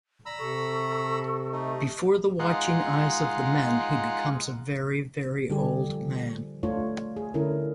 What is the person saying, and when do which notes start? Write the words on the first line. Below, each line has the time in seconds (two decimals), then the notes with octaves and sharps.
Before the watching eyes of the men, he becomes a very, very old man.
0.26 D5 A#5 B5 E6
0.39 C3 A4 C#6
1.52 A3 D#4
2.39 G#3 D#4 F4 F#5
5.50 D3 G3 D4 G4 G#4
5.89 F3
6.63 A3 D4 F4 C#5
7.16 G#4
7.34 D3 C#4 D4 E4 A#4